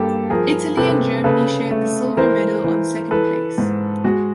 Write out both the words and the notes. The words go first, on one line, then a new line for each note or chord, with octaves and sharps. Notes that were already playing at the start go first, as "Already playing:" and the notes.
Italy and Germany shared the silver medal on second place.
Already playing: G2 A#3 G4 A4
F3 G#4 A#4
C3 A4 B4
C#3 A4 B4
A3
E3 A#4 C5
E3
E3 A4 B4
G#2
G#3 F#4